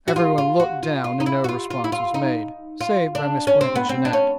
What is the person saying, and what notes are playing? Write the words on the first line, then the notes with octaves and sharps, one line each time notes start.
Everyone looked down and no response was made, save by Miss Plantagenet.
F#4
F4
F4
F#4
F4
F4
D#4
E4
F#4
F4
F4
E4
F4
D#4
F4
D4
C#4
C4
B3
C4
D4
C#4